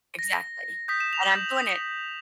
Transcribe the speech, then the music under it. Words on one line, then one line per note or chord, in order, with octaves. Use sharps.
Exactly, and I'm doing it
A#6
D#6 G6 B6
E7
F7
F#7